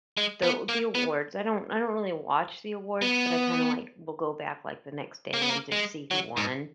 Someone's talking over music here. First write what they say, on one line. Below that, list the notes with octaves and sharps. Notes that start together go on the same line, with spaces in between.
the the awards. I don't I don't really watch the awards, but I kinda, like, will go back like the next day and just see who won,
G#3
B3
A#3
B3
B3
A#3
B3
A#3
G#3
F#3
G#2